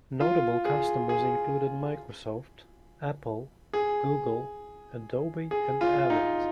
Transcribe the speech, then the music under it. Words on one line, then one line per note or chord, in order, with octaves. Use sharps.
Notable customers included Microsoft, Apple, Google, Adobe and Avid.
F4
G#4
G#4
G#4
G#4
F4
D#4